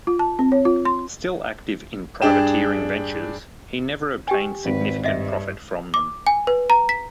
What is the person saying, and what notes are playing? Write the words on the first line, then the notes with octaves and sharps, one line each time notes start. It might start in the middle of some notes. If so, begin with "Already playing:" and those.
Still active in privateering ventures, he never obtained significant profit from them.
F4
A5
C4
C#5
F4
C6
G2 D4 G#4 G5 E7
G4 G5 G#5
G#1 B4
G2 D#5 E5
D6
G#5
B4
A#5
B6